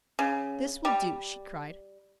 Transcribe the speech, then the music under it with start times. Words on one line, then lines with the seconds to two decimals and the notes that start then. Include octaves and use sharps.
"This will do!" she cried.
0.19 C#3
0.85 G3